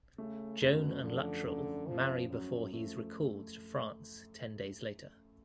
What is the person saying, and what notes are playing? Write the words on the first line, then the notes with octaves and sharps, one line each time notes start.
Joan and Luttrell marry before he is recalled to France ten days later.
C#3 A3
F#2 B2
D3 F3
F#2 D3
F#2 F3
F#2 F#3
F3 A3